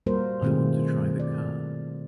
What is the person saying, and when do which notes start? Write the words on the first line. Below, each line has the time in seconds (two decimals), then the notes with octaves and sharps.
I want to try the car.
0.06 G3 A#3 F#4 A#4 C5
0.42 B2 D#3 A3 C4 F4 G#4
1.20 D5